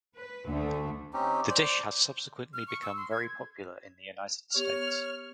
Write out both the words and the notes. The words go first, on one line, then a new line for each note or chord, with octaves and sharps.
The dish has subsequently become very popular in the United States.
B4
D2 D3 A3
C4 C#4 D#4 G4
C5 D5
F6
C#6
E6
C6
G#6
B3 G4 C#5 F6